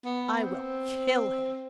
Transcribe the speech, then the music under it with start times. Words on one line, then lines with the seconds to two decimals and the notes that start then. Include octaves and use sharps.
I will kill him!'
0.05 B3
0.44 C4